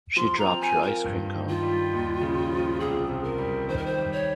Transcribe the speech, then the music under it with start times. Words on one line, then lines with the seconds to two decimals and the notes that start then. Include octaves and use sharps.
She dropped her ice cream cone.
0.16 F3 C6
0.38 A#5
0.46 C4
0.61 G#5
0.75 F4
0.83 A#4
1.04 G2
1.34 D#3
1.49 F4
1.63 G3
1.93 D#2
2.21 C#3
2.51 F3
2.80 C2 G#4
3.09 C3
3.24 A#4
3.38 G3
3.68 D#3 C5
3.77 A#4
3.86 C5
3.97 G3
4.12 C#5